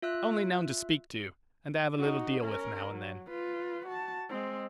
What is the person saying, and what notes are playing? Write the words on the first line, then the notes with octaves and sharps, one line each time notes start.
Only known to speak to, and to have a little deal with now and then.
F4 E5 E6 F#6
D#4 F#4
C#4 A#4
F#3
F4 B4
F#4 A5
G#3 C4